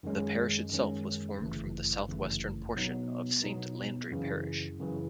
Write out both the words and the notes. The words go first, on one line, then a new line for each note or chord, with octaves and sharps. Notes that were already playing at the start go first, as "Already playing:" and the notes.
The parish itself was formed from the southwestern portion of Saint Landry Parish.
F#2 D#3 G#3 C#4
F#2 D#3 G#3 C#4
G1 F#2 C#3 E3 A3
G1 F#2 C#3 E3 A3
B2 F#3 B3 D#4
B2 F#3 B3 D#4
F#2 C#3 E3
F#2 C#3 E3